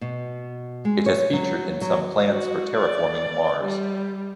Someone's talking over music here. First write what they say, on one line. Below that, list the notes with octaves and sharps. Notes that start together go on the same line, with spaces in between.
It has featured in some plans for terraforming Mars.
B2
G#3
C#5
F#3
F#3
F#4
D5
G3